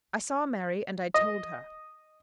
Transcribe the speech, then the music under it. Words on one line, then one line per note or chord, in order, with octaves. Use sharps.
"I saw Mary, and I told her."
D#5